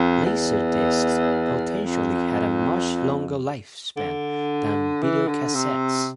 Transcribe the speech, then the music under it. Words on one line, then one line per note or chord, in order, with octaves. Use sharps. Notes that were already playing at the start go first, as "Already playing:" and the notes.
LaserDiscs potentially had a much longer lifespan than videocassettes.
Already playing: F2
E2
F2
D3
E3
D3
C3